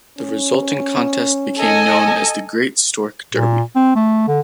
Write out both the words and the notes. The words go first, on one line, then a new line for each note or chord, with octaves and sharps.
The resulting contest became known as the Great Stork Derby.
C#4
A4 D#5 G#5
A#2
C4
A3
D3